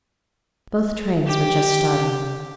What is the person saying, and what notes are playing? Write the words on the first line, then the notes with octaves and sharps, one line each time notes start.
Both trains were just starting.
G4